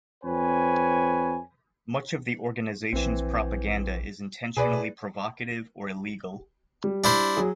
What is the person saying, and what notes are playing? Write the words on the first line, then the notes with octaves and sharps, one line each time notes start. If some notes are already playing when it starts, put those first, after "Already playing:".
Much of the organisation's propaganda is intentionally provocative or illegal.
F2 C4 B4 C#5 G#5
A#1 E3 C4
B2 G#4 B4 D5
G3
D4 E4 C5
F#3 G#4